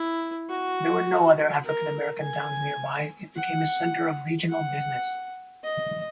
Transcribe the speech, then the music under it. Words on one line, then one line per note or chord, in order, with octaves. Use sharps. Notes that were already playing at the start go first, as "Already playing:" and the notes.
There were no other African-American towns nearby, it became a center of regional business.
Already playing: E4
F#4
A#4
G#5
F#5
F#5
D#5